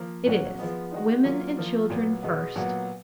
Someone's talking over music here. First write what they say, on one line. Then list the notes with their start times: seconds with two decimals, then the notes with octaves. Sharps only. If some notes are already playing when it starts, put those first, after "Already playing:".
It is, "Women and children first!"
Already playing: F3 A#3
0.26 A#2 F#3 C#4 F#4
0.59 F3 G#3 B3
0.92 D#3 G#3 D#4 F#4
1.25 F#3 A#3 C#4 F4
1.57 F3 A#3 F4
1.90 A#2 F#3 B3
2.23 B2 G#3 B3
2.55 A#2 F#3 B3 F#4